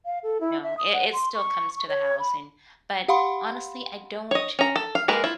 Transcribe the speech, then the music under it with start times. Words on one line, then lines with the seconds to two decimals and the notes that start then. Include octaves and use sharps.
you know, it it still comes to the house, and but, honestly, I don't
0.06 F5
0.23 A4
0.41 E4
0.63 E5
0.78 D#6
0.93 F#5
1.13 C6
1.34 C#6
1.76 C#6
1.89 C#5
2.19 B5
3.08 G4 F5 F#5 B5 C6
4.31 C#5 D#5
4.59 C#4 A#5
4.76 A4
4.95 F5
5.08 G#3 A#3 A#4 B4
5.24 E4 F4